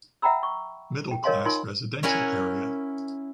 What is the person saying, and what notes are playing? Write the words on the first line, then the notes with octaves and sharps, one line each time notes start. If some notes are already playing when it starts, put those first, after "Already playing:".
Middle class residential area.
E5 F#5 G5 A#5 B5 E6
C#6
G5
A#4 C#5 D#5 F5 G#5 C6
D#4 F4 A#4 G#5 C6
C#4 E4 A#4 F#5 G#5